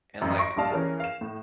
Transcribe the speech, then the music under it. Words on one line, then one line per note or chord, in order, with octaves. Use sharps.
and, like,
A1 F#2
C6 C#6 A#6 D7
A#1 G2 D4 D#5 F5 A5
E3 C#4 G#4 A#4
F5 E7
A2